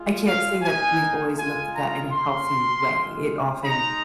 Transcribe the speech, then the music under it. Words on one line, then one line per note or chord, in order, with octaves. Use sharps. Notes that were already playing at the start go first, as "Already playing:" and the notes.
I can't say that we've always looked at that in a healthy way. It often
Already playing: G#3 F4
F5
A#3 D#4 G#5
G#3 F4 G#5
A#5
A#3 F4 C6
G#3 F4
G#3 D#4 A#5